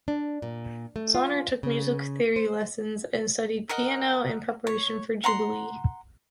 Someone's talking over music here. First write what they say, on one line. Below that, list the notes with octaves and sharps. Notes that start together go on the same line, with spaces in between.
Zauner took music theory lessons and studied piano in preparation for "Jubilee".
D4
A#2
A3
F4
C#3
C5
A#4 D#5 F#5
C#5
F#5 A#5 C6